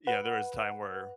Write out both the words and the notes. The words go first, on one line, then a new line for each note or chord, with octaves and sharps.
yeah, there was a time where
B4 F#5